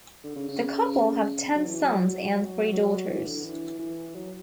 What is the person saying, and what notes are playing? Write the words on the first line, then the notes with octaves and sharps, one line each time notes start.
The couple have ten sons and three daughters.
D3
C#3
C#3
C#3
F#3
E3
F#3
F#3
F#3
E3
D3
E3
E3
F#3